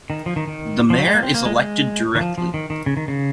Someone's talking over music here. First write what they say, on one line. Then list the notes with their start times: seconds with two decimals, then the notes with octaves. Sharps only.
The mayor is elected directly.
0.10 D#3
0.26 F3
0.36 D#3
0.48 D#3
0.90 F3
0.98 F#3
1.07 G#3
1.15 A#3
1.23 C4
1.34 A#3
1.46 G#3
1.56 G#3
2.15 D#3
2.21 F3
2.38 F3
2.54 D#3
2.70 D#3
2.86 C#3
2.97 D#3
3.08 C#3